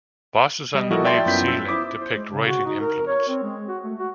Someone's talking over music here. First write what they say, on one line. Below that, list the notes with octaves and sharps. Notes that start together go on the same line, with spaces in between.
Bosses on the nave's ceiling depict writing implements.
G3 D#5
F3 E4 F#4 A4 A#4 D#5
D5 E5 G5 A5 C6 A6
F#2 B3 E4 F4 G6 B6
E6
E4 C5 D6 D#6
C5
G#3
C#3
F#4
D#4
A#4
C#5
C4
G#3
F#4
A3
F#4